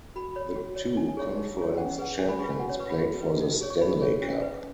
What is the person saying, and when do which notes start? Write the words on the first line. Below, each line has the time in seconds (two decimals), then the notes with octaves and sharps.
The two Conference Champions played for the Stanley Cup.
0.16 F#4 B5
0.35 C#5 B5
0.56 F#4
0.76 C#5
0.96 D#4 G#5
1.17 G#4 C#5
1.37 D#4
1.58 G#4 C#5
1.78 C#4 F#5
1.90 D#5
1.98 G#4 B4 F#5
2.18 C#4 G#5
2.29 B5
2.39 G#4 B4 B5
2.50 G#5
2.59 F#4 F#5
2.69 C#5
2.79 B4 C#6
2.90 B5
3.00 F#4
3.21 B4
3.41 D#4
3.61 G#4 C#5
3.70 C#6
3.81 D#4 B5
4.01 G#4 C#5
4.22 C#4
4.42 B4